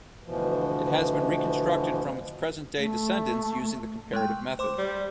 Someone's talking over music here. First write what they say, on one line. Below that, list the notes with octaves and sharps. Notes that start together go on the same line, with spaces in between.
It has been reconstructed from its present-day descendants using the comparative method.
D2 B2 E3 F3
A3
G#3 A3 G5
C5 C6 D6
G3